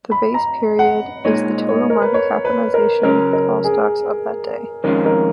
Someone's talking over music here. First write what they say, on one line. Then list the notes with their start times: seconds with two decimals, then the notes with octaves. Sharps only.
The Base Period is the total market capitalization of all stocks of that day.
0.11 B5
0.34 A#5
0.79 F#5
1.25 A#2 G#3 D#4 C#5
1.69 C#5
1.90 A#4
2.02 B4
2.14 C#5
2.45 B4
2.74 A#4
3.03 C#3 F#3 C#4 A#4
3.33 A#4
3.64 G#4
4.84 F2 D#3 G#3 C#4 F4 A#4
5.06 A#4